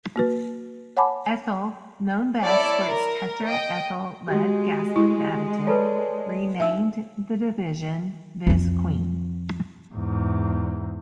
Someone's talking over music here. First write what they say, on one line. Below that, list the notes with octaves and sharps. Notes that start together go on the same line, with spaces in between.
Ethyl, known best for its tetra ethyl lead gasoline additive, renamed the division VisQueen.
A#3 F#4 B4
C#5 F#5 G#5 A5 B5 D6
E4 A4 C#5 D5
A#4
D#5 G5
G#3 F#4 G4
E4
F4 A4 B4 C#5 D5 A5
D4 D#4 E5 E6
F2 F3
E2 G#2